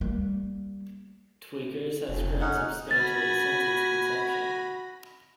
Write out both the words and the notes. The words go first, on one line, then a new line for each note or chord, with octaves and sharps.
Tweakers has grown substantially since its conception.
G3 A#3
F1
C#4 D#4 F#5
F#4 G#5 B5 A6 A#6